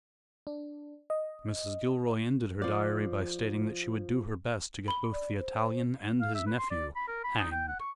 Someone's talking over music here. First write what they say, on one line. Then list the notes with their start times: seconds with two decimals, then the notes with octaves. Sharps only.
Mrs. Gilroy ended her diary by stating that she would do her best to get both the Italian and his nephew hanged.
0.47 D4
1.10 D#5
2.62 F3 D5
4.88 B5 G7
5.13 D5
5.39 C5
6.21 F5
6.35 E5
6.46 B4
6.58 C6
6.71 D5
6.96 B5
7.08 A#4
7.24 B5
7.38 D#4
7.52 G5
7.68 F#5
7.80 C#6